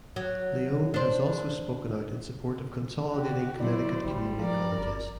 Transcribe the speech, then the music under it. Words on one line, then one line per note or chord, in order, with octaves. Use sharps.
Leone has also spoken out in support of consolidating Connecticut Community colleges.
F#3
D4 C5
F#4 G4
D3 F#3 B3 D#4 E4 C5 D5
A1 G3
F3 A#4 D5
G1